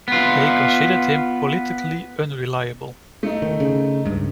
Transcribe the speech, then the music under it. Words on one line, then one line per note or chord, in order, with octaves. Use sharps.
They considered him politically unreliable.
B3 F4
A3 D#4
D#3
C#3
C#2 G2